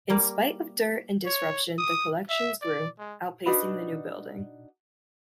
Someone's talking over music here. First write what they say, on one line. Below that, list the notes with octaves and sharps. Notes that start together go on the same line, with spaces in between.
In spite of dirt and disruption the collections grew, outpacing the new building.
G3 A#3
C#5
D#6
E5
D5
G#3
D4 D#4 F#4 B4